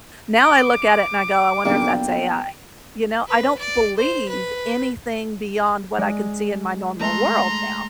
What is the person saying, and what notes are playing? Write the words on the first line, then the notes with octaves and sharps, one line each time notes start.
Now I look at it, and I go, "I wonder if that's AI." You know, I don't believe anything beyond what I can see in my normal world now.
D6
B1 A#2 C#3 A#3 D4 G5
B4
D5
C5
B4
G#3 D5
G#3 A3 A#5 C6